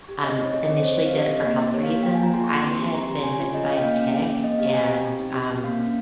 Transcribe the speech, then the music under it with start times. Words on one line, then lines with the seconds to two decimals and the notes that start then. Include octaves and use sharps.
um, initially did it for health reasons. I had been bitten by a tick and, um,
0.09 G4
0.23 C4 D#5
0.38 D#4 C#5
0.54 G#4 D#5
0.69 C4
0.78 C5
0.83 C4 C#5
0.98 D#4
1.06 F5
1.13 G4 D#5
1.28 C4
1.44 A#3
1.58 D#4
1.74 G4 C#5
1.83 F5
1.89 A#3
2.03 A#3 G5
2.14 G#5
2.19 F4 A#5
2.33 G#4 C6
2.44 C#6
2.48 A#3
2.53 C6
2.63 C4
2.79 G4
2.94 C4 A#5
3.04 C6
3.09 G4
3.14 A#5
3.23 C#4 G#5
3.34 G#5
3.39 F4
3.44 C#5
3.54 G#4 D#5
3.64 F5
3.69 C#4 G5
3.83 A#3 F5
3.99 C#4
4.14 G#4
4.28 A#3
4.44 C4 D#5
4.58 G4 F5
4.73 C4 G#5
4.84 A#5
4.89 G4
4.94 G5
5.04 C4
5.19 D#4
5.33 G4
5.49 C4
5.64 A#3 F5
5.79 C#4